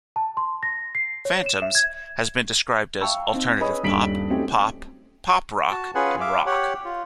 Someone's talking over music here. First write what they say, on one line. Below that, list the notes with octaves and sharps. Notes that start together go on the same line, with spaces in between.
"Phantoms" has been described as alternative pop, pop, pop rock, and rock.
A5
C6
A#6
C7
C#5
E7
E5
G#6
E5 F5 G5 A5 C#6 E6
C4 D#4
G#4 B4 C#5 D#5 B5 D#6
D#1 G2 G3 B6 D7 F#7
F#3 A3 C4 C#4 D#4 G4
F#4 A5
C#4 F4 G#4 B4 F#5 G#5
E5 F5 D6
G4 C#5 F#5
F4